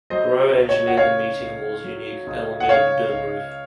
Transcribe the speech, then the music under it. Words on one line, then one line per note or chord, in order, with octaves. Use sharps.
Grow engineered the meeting hall's unique elongated dome roof.
F#3 C5 D#5
C#2
C#5
F#5
C#3 C#5 F5
C#2
F#3
C#2
F#5
C#3 C#5 F5
C#2